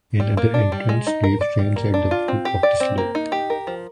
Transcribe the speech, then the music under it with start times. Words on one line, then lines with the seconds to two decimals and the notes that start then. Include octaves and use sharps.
Another entrance grave stands at the foot of the slope.
0.20 G3
0.37 A#3
0.54 D4
0.72 G3
0.89 G#3
1.07 D#4
1.24 A#4
1.41 D5
1.59 G3
1.76 A#3
1.94 D4
2.11 F4
2.28 C4
2.45 G4
2.63 D5
2.80 C4
2.98 A#3
3.15 D#4
3.32 G4
3.50 A#4
3.67 F3